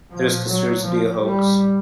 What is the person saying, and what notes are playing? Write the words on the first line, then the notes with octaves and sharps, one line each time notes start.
It is considered to be a hoax.
A#2 F3
F#3
A2 F3
G3